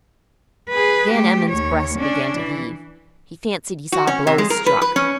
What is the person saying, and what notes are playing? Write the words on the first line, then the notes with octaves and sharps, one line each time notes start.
Van Emmon's breast began to heave; he fancied he saw blows struck.
G#4 B4
A3 G4
D#2 C#5
C#4 D4
E3
F#4
C#4
C3
G#3
A#4
B4
B4
C#4